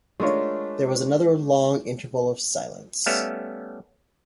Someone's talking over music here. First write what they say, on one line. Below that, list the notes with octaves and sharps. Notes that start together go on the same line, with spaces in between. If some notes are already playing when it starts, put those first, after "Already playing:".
There was another long interval of silence.
G#3 A3 D4 F4 A#4 C#5
G3 A3 B3 C#4 E5 F5